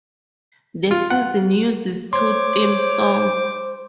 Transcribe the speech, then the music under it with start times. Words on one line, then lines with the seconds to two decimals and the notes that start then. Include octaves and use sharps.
The season uses two theme songs.
0.91 F4
1.10 F#5
2.13 C5 C#5 C6 D6